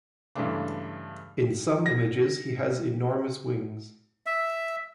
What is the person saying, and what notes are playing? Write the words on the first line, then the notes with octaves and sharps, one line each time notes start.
In some images he has enormous wings.
G2 C#3 E3 G#3 A3 D4
A#6
E5